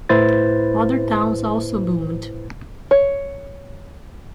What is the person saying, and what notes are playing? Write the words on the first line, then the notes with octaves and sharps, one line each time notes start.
Other towns also boomed.
A2 E4 B4 C5 A6
C#5